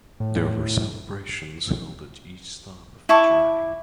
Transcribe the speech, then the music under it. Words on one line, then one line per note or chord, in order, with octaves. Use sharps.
There were celebrations held at each stop of the journey.
A2
E4 A5 C#6 D6